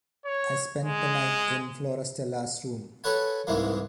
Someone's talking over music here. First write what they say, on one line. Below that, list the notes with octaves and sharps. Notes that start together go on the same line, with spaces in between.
I spent the night in Florastella’s room.
C#5
G#3
A4 B4 C#5 F#5 G#5
C2 G#2 E3 G#3 A#3